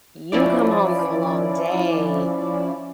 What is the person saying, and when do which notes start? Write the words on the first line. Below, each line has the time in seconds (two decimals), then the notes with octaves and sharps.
you come home from a long day
0.32 F3 C#4 E4 D5